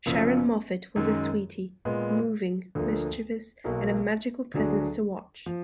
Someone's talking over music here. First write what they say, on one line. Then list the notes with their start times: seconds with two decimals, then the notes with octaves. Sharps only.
Sharyn Moffett was a sweetie; moving, mischievous and a magical presence to watch.
0.06 F#1 F#2 F3
0.96 F#2 D#3 G#3
1.85 A#2 G#3 B3
2.75 D2 D3 F3 A#3
3.64 B1 B2 F#3 A#3
4.54 D2 D3 F#3 D4 G#4
5.46 F3